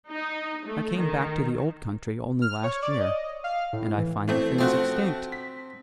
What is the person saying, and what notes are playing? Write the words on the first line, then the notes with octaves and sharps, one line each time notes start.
I came back to the old country only last year, and I find the thing's extinct.
D#4
A3
D#3
F6
C#5
D5
D#5
F5
A2
E3
E3 A3 C4
F3 A3 C4 F#4
B6